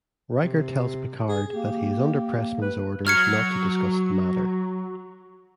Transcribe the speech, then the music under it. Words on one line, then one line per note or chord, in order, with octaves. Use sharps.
Riker tells Picard that he is under Pressman's orders not to discuss the matter.
C3
G#4
A#3 G4
B4
F#3 F6 G#6 C#7